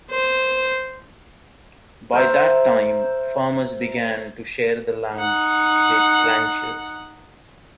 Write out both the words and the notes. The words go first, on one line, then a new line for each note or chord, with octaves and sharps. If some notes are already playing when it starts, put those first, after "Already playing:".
By that time, farmers began to share the land with ranchers.
C5
A#4 C5 E5
D#4 F#5